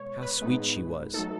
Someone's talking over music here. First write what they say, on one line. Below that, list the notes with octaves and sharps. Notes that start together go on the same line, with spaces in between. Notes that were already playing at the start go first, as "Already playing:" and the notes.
How sweet she was!
Already playing: B2 G#3 B3 C#5
B4
A2 G#3 B3 D#4
F#3 A3 D#4 A4